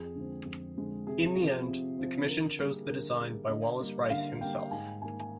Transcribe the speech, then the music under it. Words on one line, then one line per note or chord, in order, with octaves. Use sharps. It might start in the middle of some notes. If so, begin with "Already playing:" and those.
In the end, the commission chose the design by Wallace Rice himself.
Already playing: F2 G#4
D3 G#3 C4
F2
D3 G#3 C4
C3 G#4
F3 C4
C3
F3 C4
D3 A#4
G3 A#3 G#4
D3 A#4
G3 A#3 G#4
D3 D#5
G3 A#3
D3 F5
G3 A#3 G5
G#2 G#5
D#3 A#3 G#5
G#5